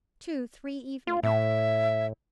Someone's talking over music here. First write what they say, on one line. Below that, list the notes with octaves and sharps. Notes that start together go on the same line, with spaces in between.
'Two--three evenings.
F4
A2 E5